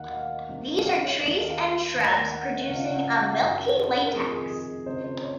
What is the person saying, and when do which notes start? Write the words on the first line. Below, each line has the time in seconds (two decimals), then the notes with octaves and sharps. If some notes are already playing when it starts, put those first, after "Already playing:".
These are trees and shrubs producing a milky latex.
Already playing: D#2 D#3 F5 F#5
0.13 F5
0.49 C2 C3 D#3
0.78 F5
0.85 D#5
1.04 C#5
1.21 D#2 D#3 D#5
1.40 F5
1.95 D#2 D#3
2.32 F#5
2.61 F#5
2.68 C#2 C#3 F5
2.85 F#5
3.04 F5
3.22 F#5
3.41 F#2 D#3
4.02 A#4
4.13 F2 C3 D#3 G#4
4.32 G#4
4.50 G#4
4.86 C#2 C3 D#3 C5
5.04 C5
5.23 C#5